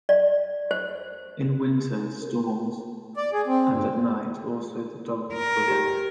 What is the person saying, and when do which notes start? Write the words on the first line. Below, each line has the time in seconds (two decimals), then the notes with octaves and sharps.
In winter storms, and at night also the dogs were there.
0.09 D5
0.71 C5
3.17 D5
3.33 G#4
3.47 C4
3.70 G2
5.33 A#4
5.68 G4